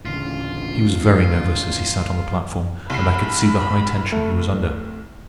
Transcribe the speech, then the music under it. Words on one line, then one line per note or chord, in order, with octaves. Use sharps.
He was very nervous as he sat on the platform, and I could see the high tension he was under.
A1 D2 C#3 F4
C2 B5 C7
A3